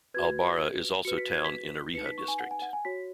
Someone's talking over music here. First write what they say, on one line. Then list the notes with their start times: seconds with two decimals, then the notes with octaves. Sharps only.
Al-Bara is also town in Ariha district.
0.14 F#4 B4 G#6
1.05 F#4 B4 C#7
1.18 B6
1.32 G#6
1.45 B6
1.94 B4 C#7
1.98 D#4
2.06 B6
2.18 C#6
2.28 G#5
2.40 F#5
2.51 G#5
2.62 F#5
2.73 G#5
2.85 F#4 C#5 B6